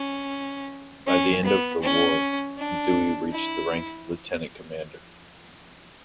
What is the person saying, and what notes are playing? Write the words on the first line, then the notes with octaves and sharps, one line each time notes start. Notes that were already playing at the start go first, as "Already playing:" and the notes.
By the end of the war, Dewey reached the rank of lieutenant commander.
Already playing: C#4
C#4
B3
C#4
D4
E4